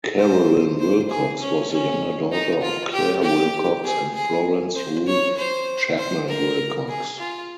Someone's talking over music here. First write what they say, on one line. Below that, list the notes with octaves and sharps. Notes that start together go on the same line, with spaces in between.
Carolyn Wilcox was the younger daughter of Clair Wilcox and Florence Ruth Chapman Wilcox.
C5
C5
G#4
C#4
C#4
D#4
F4
G4
G4
G#4
G#4
C5
C#5
C5
C5
A#4
G#4
F4